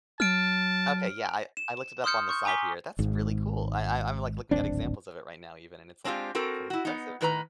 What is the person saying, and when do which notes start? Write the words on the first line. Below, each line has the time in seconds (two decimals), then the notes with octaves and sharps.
Okay, yeah, I I looked it up on the side here. That's really cool. I I I'm, like, looking at examples of it right now even, and it's, like, pretty impressive.
0.20 F#3 A5 F6 D7
1.57 E7
2.04 C6 D#6 F6 G6 C#7
2.29 C#6 G6
2.45 G#5 A#5 D6 B6 G7
2.99 G#1 G#2
4.51 D1 G#1 C4 D4
6.04 G#3 C4 D4 E4 F4 G4
6.35 C4 F#4 A4 A#4
6.70 E4 F#4
6.85 B3 D#4
7.21 A2 D#3 B4 D5 A#5